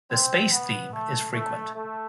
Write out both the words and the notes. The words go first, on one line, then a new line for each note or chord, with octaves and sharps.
The space theme is frequent.
C4
B3
A3
A3
A3